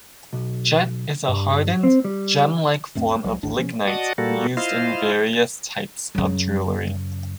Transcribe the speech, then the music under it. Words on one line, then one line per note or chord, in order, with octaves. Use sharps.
Jet is a hardened, gem-like form of lignite used in various types of jewelry.
B1
G2
C4
G3
D1 G2 A3 C4
C2 F#3
G#1 D2 G#2 D4
C3 F3 G3 C#4
F#4 D5 D#5 F#5 A5 D#6
A#2 G3 A#3 F#4 A4
E4 F4 C5 D#5 F5
F#2 C#3